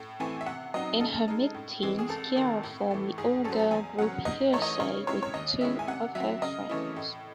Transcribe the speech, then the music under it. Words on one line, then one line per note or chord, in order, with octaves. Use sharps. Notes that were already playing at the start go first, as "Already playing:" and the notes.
In her mid-teens, Ciara formed the all-girl group Hearsay with two of her friends.
Already playing: A2
E3 A3 C4 E4 G#5
E5
C3 F#5
F#3 C4 D#4 D#5
C#3 A4
G#3 D#4
A2
E3 G#3 C4
G#4
C2 A4
C3 D#3
A2
E3 A3
G#2 G#4
F#3 C#4 A4 C5
A4
E2 G#5
C#3 F#3 C#4 F#5
G#2 D#5
E3 A3 C#5 D#5
C#3 C#5
G#3 C4 E4 C#5
C#5
D#2 D#5
D#3 G#3 C#4 E4 E5
G#5
C3 F#5
F#3 C4 E5
C#3 D#5
E3 A3 C#4 E4
A2